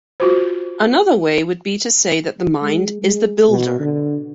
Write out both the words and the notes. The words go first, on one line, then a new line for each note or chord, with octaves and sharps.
Another way would be to say that the mind is the builder.
F4 F#4 C5
G#3
G#3
B2
D3